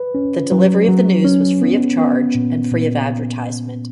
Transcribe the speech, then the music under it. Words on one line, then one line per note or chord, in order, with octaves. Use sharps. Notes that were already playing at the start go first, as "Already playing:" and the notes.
The delivery of the news was free of charge and free of advertisement.
Already playing: B4
C#4
F#3
F#3
C#4
B3
B3
A#2
A#2